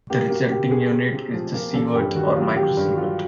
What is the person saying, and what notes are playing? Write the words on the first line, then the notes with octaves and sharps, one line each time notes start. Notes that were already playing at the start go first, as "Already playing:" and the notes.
The resulting unit is the sievert or microsievert.
A#3 G4
A#3 F#4
C3 G4
C3 G#4
C3
C3
F3
A#3
A1 A4
G2 G4
D#3 F#4
F#3 F4
F#3 G4
G2 F#4
F#4
F#3 F4